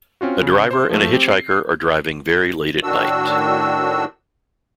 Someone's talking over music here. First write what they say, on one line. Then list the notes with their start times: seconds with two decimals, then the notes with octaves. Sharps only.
A driver and a hitchhiker are driving very late at night.
0.21 C4 C#4 F4 F#4
0.43 C#3
0.71 C5 C6
0.90 F3 A3
1.13 C4 G4
1.31 C7
2.83 A2 D#3 D4 F#4 E6